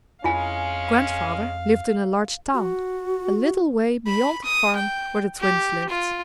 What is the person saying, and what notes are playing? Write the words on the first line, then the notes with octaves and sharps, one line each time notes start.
Grandfather lived in a large town, a little way beyond the farm where the Twins lived.
F2 G#3 C#4 E4 F4 F5 G#5
F#4
B5
D#6
G5
G4
F4